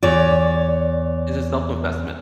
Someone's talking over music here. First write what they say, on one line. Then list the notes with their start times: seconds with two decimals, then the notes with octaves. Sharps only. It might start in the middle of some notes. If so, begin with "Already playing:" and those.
It's a self investment.
0.03 E2 C#5 D5